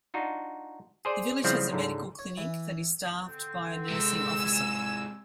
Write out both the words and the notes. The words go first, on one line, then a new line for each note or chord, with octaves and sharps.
The village has a medical clinic that is staffed by a Nursing Officer.
D4 D#4 F4 F#4
G#4 C5 D5
C#3 F3 G3 C4 E4
C#2 G#2 D3
C#5
E3
D3 C4
C3 G#3 E6 E7
G#5